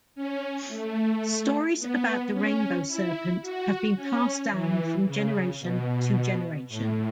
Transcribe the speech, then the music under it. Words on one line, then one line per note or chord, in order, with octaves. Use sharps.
Stories about the Rainbow Serpent have been passed down from generation to generation.
C#4
A3
B3
C#4
E4
F#4
C#4
E3
C#3
B2
A2